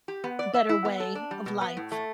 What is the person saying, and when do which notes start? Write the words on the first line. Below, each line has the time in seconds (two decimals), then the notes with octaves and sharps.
a better way of life.
0.08 G4
0.24 B3
0.39 D5
0.54 E5
0.69 E4
0.85 B3
1.00 A4
1.15 D4
1.31 G3
1.46 B2
1.61 B3
1.77 A2
1.92 A3